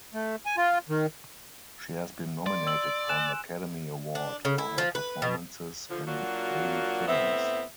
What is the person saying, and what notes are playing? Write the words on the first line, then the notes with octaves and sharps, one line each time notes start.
She has been nominated for an Academy Award for her performances in three films.
A3
G#5
F4
D#3
D5 C6
E6 D7 F#7
G#5 F#6 E7
D4
C#3
E4
F3
B4
B2
D3 F3
F#3 A#3 D4 F4 F#4
A2 B3 C4 E5